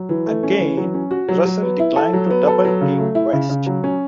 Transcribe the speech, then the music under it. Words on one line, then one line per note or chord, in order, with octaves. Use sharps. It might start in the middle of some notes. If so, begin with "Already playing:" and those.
Again, Russell declined to double-team West.
Already playing: F#3
E3
A3
C#4
E3
F#3
C#4
F#4
F#3
F#3
B3
E4
A4
F#3
B3
A4
F#3
C#3
A3
E4
C#3
C#3
F#3
C#4